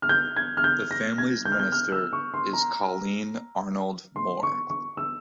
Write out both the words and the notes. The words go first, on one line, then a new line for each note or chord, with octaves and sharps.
The families minister is Colleen Arnold-Moore.
F6
G6
G#6
F6
G6
A#6
G#6
G6
F6
G6
F6
E6
C#6
C6
A#5
C6
C#6
C#6
E6